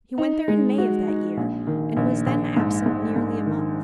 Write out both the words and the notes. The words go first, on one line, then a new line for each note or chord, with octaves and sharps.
He went there in May of that year, and was then absent nearly a month.
D#4
G#3
F#4
D#4
A#1
D#3
A#1
A#1
G#2
G#2
G#2
D#3